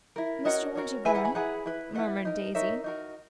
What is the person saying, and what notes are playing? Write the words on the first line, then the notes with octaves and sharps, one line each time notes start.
"Mr. Winterbourne!" murmured Daisy.
E4 A#4
C#4 F#4 A#4 D#5 F#5
C#4 F#4 A#4
E4 G#4 B4 E5 G#5
F#5 A#5
G#5 B5
E4 G#4 B4 F#5 A#5
E4 B4
E4 B4 D#5 F#5
D#4 A#4
D#4 A#4 C#5 E5
D#4 F#4 A#4